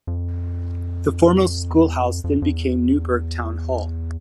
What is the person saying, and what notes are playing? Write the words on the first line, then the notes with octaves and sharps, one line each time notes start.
The former schoolhouse then became Newburgh Town Hall.
F2
E2
F2
F2
F2
E2